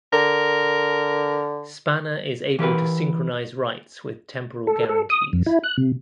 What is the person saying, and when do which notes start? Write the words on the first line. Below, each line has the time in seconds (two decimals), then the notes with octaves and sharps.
Spanner is able to synchronize writes with temporal guarantees.
0.13 D3 A#4
2.59 E3 G4 A#4 B4
4.67 A4
4.89 A4
5.10 D#6
5.33 F2
5.46 E4
5.64 F#6
5.77 C3